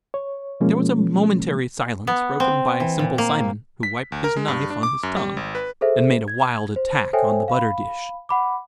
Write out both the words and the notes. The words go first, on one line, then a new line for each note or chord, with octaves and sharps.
There was a momentary silence, broken by Simple Simon, who wiped his knife on his tongue, and made a wild attack on the butter dish.
C#5
B2 F3 G#3 A#3 C#4
B3
C4
E3
A#2
A#3
B6
D2
A#4
G#3
G2
D4
D6
F#2
G3
G#1
B4
G#4 A4 C5 E5
G#6
C5
A4 C5 C#5 E5 G5 G#5
F5 B5
F#5 B5 D6